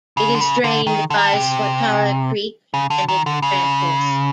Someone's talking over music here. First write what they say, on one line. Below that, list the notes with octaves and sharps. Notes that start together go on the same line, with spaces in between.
It is drained by Swatara Creek and its branches.
C#3
D3
C#3
D3
D#3
D3
D#3
D3
C3
C#3
D3
D#3
D3
C#3